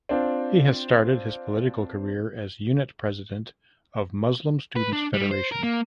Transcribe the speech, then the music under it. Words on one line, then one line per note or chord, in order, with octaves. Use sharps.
He has started his political career as unit president of Muslim Students Federation.
C4 D4 F4
B4
D4
G3
C5
A#4
A#3